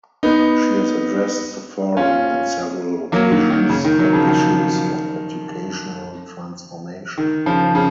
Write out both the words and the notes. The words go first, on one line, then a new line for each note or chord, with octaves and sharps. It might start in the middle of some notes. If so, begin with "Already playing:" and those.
She has addressed the Forum on several occasions on issues of educational transformation.
B3 D#4
C#4 F4
F#3 A#3
D#3 F#3
D#3
C#3
D#3
D#3 F#3
C#3 F3
D#3
D#3
C#3 F3
C#3